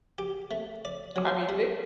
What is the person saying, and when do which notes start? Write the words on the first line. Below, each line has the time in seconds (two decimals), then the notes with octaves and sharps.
I mean, they
0.18 G4
0.51 A3
0.85 D5
1.16 F#3
1.49 G3